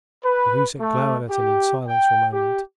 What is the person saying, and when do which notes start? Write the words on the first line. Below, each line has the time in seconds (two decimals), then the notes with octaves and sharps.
Cahusac glowered at him in silence for a moment.
0.24 B4
0.80 A3
1.29 G4
1.87 G5
2.32 G4